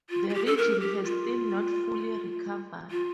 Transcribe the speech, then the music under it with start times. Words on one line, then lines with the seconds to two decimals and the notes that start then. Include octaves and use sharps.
The region has still not fully recovered.
0.10 F4
0.30 F4
0.34 G4
0.46 A4
0.58 A#4
0.80 G4
1.04 F4
2.91 F4